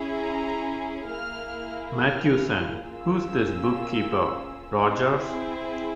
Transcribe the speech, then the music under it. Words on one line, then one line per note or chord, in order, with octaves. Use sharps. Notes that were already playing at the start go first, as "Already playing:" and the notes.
Matthewson, who's this bookkeeper, Rogers.
Already playing: C#4 E4 G#4
A#5
A#3 E4 G#4 F6
F6
A#3 C#4 F4 G#4 E6
C4 E4 G#4